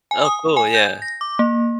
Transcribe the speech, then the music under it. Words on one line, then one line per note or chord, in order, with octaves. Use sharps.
Oh cool, yeah.
G#5
D#6
G#5
G6
A#6
D6
A#3